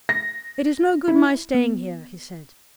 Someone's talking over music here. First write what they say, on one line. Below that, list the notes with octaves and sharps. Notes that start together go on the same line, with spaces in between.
"It is no good my staying here," he said.
A#6
E4
B3